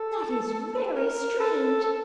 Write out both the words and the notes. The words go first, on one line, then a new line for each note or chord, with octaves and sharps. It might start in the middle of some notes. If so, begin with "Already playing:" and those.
That is very strange!
Already playing: A4
A#4
A4
A4